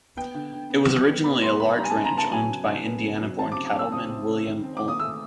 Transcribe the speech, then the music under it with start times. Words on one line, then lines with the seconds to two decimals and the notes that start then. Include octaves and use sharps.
It was originally a large ranch owned by Indiana-born cattleman William Ulm.
0.17 B3 G5
0.34 D3
0.53 D3
0.70 B3
0.88 G3
1.06 B3
1.24 B3 B5
1.42 G3 C6
1.60 B3 B5
1.77 G3 A#5
1.84 G#5
1.91 C#3 A5
2.04 A#5
2.14 B3 A5
2.31 F#3 G#5
2.49 C#3
2.67 C#3
2.85 B3
3.03 C#3
3.21 F#3
3.39 C4 A5
3.52 D6
3.57 C#3
3.66 D6
3.75 C4 E6
3.92 C4 D#6
4.10 C4
4.28 C#3
4.46 D#3
4.64 C4
4.77 D6
4.82 D#3
4.88 D#6
4.99 A3 E6